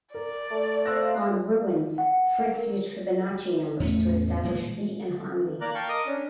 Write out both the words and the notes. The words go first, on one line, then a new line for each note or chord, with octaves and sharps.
On "Ruins" Frith used Fibonacci numbers to establish beat and harmony.
A#4 D5
A3
C5 F5 C6 E6 F#6 A#6
F#5
A#4
E2 A2 A3 C#4
A#2 E3 G#3
A#3 A#4 D5 A#5 F#6
F5 G5 A5 C#6
A#4 D#5 D6 D#6
C#4 D4